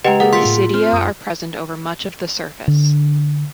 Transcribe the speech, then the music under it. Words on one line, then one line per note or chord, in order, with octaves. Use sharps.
Isidia are present over much of the surface.
C#3 G#3 G4 B4 D#5 F#5 G5 A#5
A#3 G#4 A4 F#5
F4 G5 C6 C#6 B6
A2
C4 C5 F6
F#2 D#6
D3